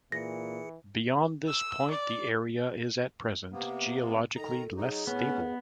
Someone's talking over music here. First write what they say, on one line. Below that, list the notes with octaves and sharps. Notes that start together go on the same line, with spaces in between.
Beyond this point the area is at present geologically less stable.
A#2 E3 G#4 A#6 C#7
E6
D5
C3 A#3 B3
D#3 A4 A#5
F#3 D#4 G#4
A2 B3 C#4